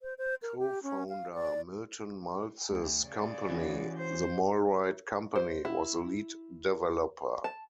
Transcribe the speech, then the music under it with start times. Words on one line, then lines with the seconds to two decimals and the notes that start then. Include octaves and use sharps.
Co-founder Milton Maltz's company, The Malrite Company, was the lead developer.
0.01 C5
0.18 C5
0.42 A#4
0.59 G4
0.83 C#4
1.09 F5
1.34 D5
2.70 D2
3.04 C#3 D5
3.50 E3 C#4 F#4
3.97 C5
5.36 C5
5.65 E4
7.44 A5